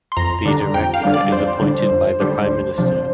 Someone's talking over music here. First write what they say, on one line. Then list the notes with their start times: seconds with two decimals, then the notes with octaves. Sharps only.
The director is appointed by the Prime Minister.
0.12 C6
0.17 F2 A#5
0.45 D3 G3 D4
0.74 F2 G5
0.94 F5
1.03 D3 G3 D4
1.14 D5
1.32 F2 C5
1.61 D3 G3 D4
1.91 F2
2.20 D3 G3 D4
2.48 D2
2.78 C3 F3 D4